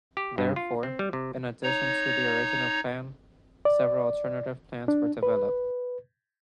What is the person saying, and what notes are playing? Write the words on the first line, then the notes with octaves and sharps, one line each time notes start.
Therefore, in addition to the original plan several alternative plans were developed.
G4
G2
F4
C4
G3
C3
D#4 C#5 A#5
D5
D4
B4